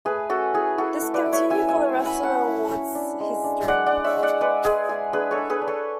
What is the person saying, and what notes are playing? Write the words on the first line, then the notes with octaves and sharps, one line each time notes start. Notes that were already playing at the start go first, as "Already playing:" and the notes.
This continued for the rest of the award's history.
A3 G#4 B4
C#4 F#4 A4
E4 G#4
E4 F#4 A4
A3
B4 D5
E4
C#5 E5
C#4 E5 G#5
E5 G#5
A3
C#4
G#5 B5
C#4 F#5 A5
E4
C#4
D4
G#3
D4
G#3 D5 F#5
D5 F#5
D4
C#5 E5
G#3
D5 F#5
G#3 B4 D5
G#3 G#4
G#3 G#4
D4 G#4 B4
A4 C#5
D4
G#4 B4
D4
A4 C#5